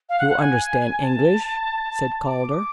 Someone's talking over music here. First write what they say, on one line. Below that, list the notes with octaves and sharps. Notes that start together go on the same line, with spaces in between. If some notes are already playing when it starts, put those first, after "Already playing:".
"You understand English?" said Calder.
F5
F#5
F#5
G#5
A5
D6
D#6
D6